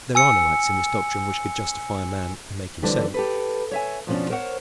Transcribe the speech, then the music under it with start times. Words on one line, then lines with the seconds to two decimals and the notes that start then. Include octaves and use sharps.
There are no acts in this doctrine which could justify a man and make him saved.
0.15 G#5 E6 C#7
2.82 F2 D3 E3 G3
3.14 G4 A4 B4
3.71 C#5 E5 G#5
4.07 F2 B2 F3 A3 C#4 D4
4.30 A#4 C5 C#5 E5 F#5